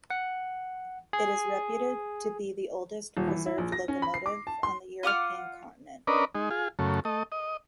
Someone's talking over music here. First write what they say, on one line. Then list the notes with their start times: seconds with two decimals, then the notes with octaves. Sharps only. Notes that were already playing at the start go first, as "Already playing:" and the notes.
It is reputed to be the oldest preserved locomotive on the European continent.
0.10 F#5
1.13 G#4
3.17 D#1
3.28 E3
3.46 E4
3.58 A#1
3.72 A#6
3.88 C#4
4.02 B5
4.14 C7
4.26 D6
4.47 A5
4.63 C6
5.03 F4 F#5 D6 F6
6.07 C#4 D4 A#4 B4 D5 D#5
6.35 G#3 D#4
6.50 F4 G#4
6.79 F#2 C#3 A3
7.05 A3 D#5
7.32 D#5